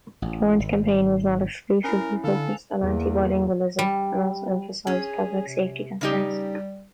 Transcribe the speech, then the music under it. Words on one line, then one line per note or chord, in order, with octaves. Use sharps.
Doern's campaign was not exclusively focused on anti-bilingualism, and also emphasized public safety concerns.
A1
G#1
C#4 E4 A#4 G#5 B5
D3 A4 F5 F#5
E2 A#3
G3
C#4 G#4
C3
C#3 G3 D#4 G4